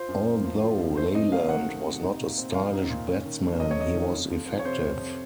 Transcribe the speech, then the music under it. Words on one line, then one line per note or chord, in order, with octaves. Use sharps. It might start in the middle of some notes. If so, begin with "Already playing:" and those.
Although Leyland was not a stylish batsman, he was effective.
Already playing: F4 C5
F#2
A#3
F3
F4
F#2
A3 C5
C3 D#5
F#3 F5
D#3 F#5
A3
C3
D#4
A#2
C4
F3 F5
D#4
A#2
C#4
D#3
A3
F#3 D#5
C#5
C#4 D#5
D#3
F2
F2
F3
C#5
C3 C5
F2
F2